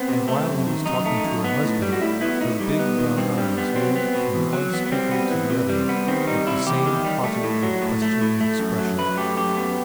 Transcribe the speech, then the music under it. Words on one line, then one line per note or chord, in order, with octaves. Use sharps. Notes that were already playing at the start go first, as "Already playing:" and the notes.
And while he was talking to her husband, her big brown eyes moved from one speaker to the other with the same haughty and questioning expression.
Already playing: B3 C4
C3
A3
F#2
D#3
F#2 D#4
A3
F#2
B3
A2
G3
F#4
A2 E4
B3 E4
A2 D#4
G3
B3
D#3
G2 C4
G3
B3
F#3 C4
B3
B2
E2
F#3
B3
B3
G3 C4
B3
E3
C3
G3
B3
D#3 C4
G3 D#4
C3 E4
E2 G4
D#3
G3
A3
A2
F#3
A2
A3
A2
A3
F#2
F#3
F#2 B4
A3 G4
F#2 G4
B3